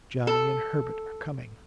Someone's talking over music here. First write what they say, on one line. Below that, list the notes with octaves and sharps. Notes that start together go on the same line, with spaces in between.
Johnny and Herbert are coming.
A4